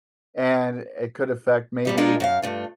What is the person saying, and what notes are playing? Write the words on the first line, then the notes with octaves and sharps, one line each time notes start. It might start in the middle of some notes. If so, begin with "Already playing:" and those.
and it could affect, maybe,
G#2 G3 D#4
G#3 D4 D#4 F4 A#4
F#2 F#4 F5
G2 A3 F4